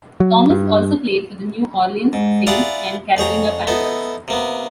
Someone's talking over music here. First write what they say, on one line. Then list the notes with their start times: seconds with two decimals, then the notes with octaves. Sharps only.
Thomas also played for the New Orleans Saints and Carolina Panthers.
0.20 F#3
0.50 G2
2.13 G#2
2.47 E4 F4 G#4 D5 F#5 A#5
3.17 F2 G#4 C#5 A#5
3.67 B3 D#4 E4 A4
4.28 C3 A#3 B3